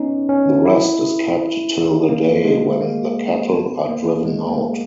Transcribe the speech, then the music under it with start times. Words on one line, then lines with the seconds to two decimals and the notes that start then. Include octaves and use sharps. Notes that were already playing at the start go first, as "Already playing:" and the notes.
The rest is kept till the day when the cattle are driven out.
Already playing: B3 C#4 D#4
0.29 C#4
0.65 E4
2.09 A#3
2.45 G#3
2.81 A#3
3.52 B3
3.89 A#3
4.25 G#3
4.49 A#3